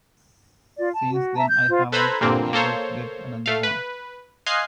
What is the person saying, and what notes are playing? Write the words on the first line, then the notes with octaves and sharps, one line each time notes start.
Since then I haven't been able to get another one.
F4 D5
A5
F#4
E5 A5 A#5
G6
F4 C5
A4 B4 C5 A#5 B5 G#6
G2 A#2 D3 A#3 C4
A#3 A4 C5 C#5
A3 F5
B4
D#5 F5 G#5 C6 F#6 C7